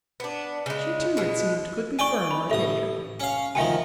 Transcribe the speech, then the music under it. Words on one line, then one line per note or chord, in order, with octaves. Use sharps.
She, too, it seemed, could be firm, on occasion.
B3 D4
C#3 G#3
B2 G#3
D5 G5 G#5 C#6
B5
A1 A4 E5 D#6
C#4 F5
D2 D#3 F3 E5 G5 G#5